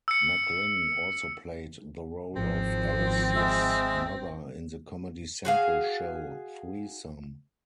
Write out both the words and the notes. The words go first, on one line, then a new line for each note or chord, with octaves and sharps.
McLynn also played the role of Alice's mother in the Comedy Central show "Threesome".
E6 C#7
G#1 F3 C4
G#3 E5
F#4 G#4 F5